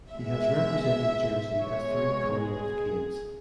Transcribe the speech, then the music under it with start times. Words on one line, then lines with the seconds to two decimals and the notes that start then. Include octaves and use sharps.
He has represented Jersey at three Commonwealth Games.
0.12 B2 G#3 E5
1.63 B2 G#3 C#5
2.38 G#4